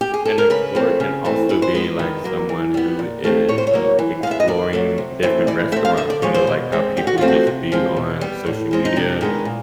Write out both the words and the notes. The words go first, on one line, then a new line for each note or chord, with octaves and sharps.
an explorer can also be, like, someone who is, uh, exploring different restaurants, you know, like how people just be on social media
G4
G#4
A4
A#4
C#3 B4
F3 A3 C4
C#3
E3 A3 C4
E3 B4
C5
G#3 B3 B4
D#3
F#3 A#3
E3
G3 B3
A#2
F3 A3 C4
A2 C#5
C5
C#5
F#3 A#3
E3
G#3 B3 E5 F5
D#5
D#3 D5
F#3 A3
C3
E3 A3 C4
E3 D5
A3 C4 E5
F5
D3 E5
D5
F3 G#3 C#5
C5
B2
G#3 C4
D3 G4
F#4
F3 A3 C4 F4
F#4
C3
F3 G#3 C4
B2
G3 B3
A2
F3 G#3 C4
D#4
C3 D4
D#3 G#3 B3
A#2